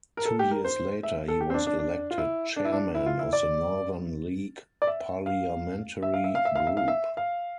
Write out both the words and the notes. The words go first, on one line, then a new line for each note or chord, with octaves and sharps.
Two years later, he was elected Chairman of the Northern League Parliamentary Group.
A#4
A4
G4
A#4
C5
E5
A4
G4
C4
D4
D4
D4
F4
E4
D4
E4
D4
E4
F4
E4
D5
D5
E5
F5
E5
F5
E5
F5
E5
F5
E5
F5
E5
F5